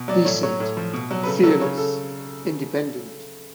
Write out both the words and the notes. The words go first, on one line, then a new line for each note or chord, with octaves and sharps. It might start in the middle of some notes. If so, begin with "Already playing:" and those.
Decent, fearless, independent.
Already playing: B2
F#3 D5
A2 C#5
F#3 C#5
A2
F3
B2
F#3
B4
C#3 A4
F#3 A4
C#3 C#5
A4